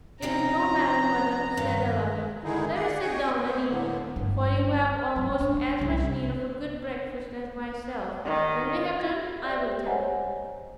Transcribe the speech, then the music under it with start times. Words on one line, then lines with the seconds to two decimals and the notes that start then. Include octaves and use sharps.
"It is no matter, mother," said Aladdin, "let us sit down and eat; for you have almost as much need of a good breakfast as myself; when we have done, I will tell you."
0.22 C3 F3 C#4 A#5
1.57 G2 D#3
2.44 D3 D#3 G#3 D#4 E4 G#4
2.75 D5 F#5
3.00 C#5 D#5 G5 G#5 C#6 D#6
3.44 A3 C5
3.69 A2 D3 A#3 B3
4.16 G1 E4
5.16 F3 E4
5.41 D4
5.79 C2 C#4
8.25 D#3
8.99 G#6 A#6
9.43 G4 D5 E5 G5
9.86 C5 C#5 D#5 F#5 G#5 A#5